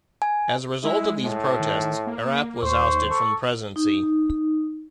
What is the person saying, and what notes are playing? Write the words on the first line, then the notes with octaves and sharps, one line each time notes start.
As a result of these protests, Erap was ousted from the presidency.
G#5
G#3 E4
A2
D#3
A#3
D#2 C5 C#6
A4 C#6
D#4